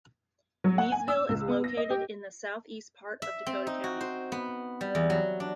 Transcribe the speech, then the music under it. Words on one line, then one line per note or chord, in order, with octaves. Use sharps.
Miesville is located in the southeast part of Dakota County.
F#3
F#5
G#5
E6
C#2
B3
A#6
D#5
G4
E5
C4
D#4
F#4
C5
B3
G3
E2
F#3
D4